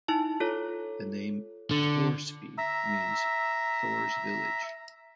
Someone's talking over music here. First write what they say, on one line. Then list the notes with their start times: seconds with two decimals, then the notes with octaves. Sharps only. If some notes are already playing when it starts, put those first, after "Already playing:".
The name "Torsby" means Thor's village.
0.08 D#4 E4 A5
0.40 F4 A4 C#5
1.71 D3
2.58 E5 A#5 E6